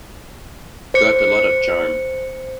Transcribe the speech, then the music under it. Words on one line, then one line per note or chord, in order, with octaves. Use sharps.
Got a lot of charm.
C5 C#7